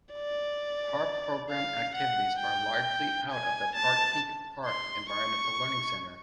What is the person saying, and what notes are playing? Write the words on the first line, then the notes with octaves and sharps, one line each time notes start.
Park program activities are largely out of the Carkeek Park Environmental Learning Center.
D5
F5
F#5
G5
G#5
A5
C6
C#6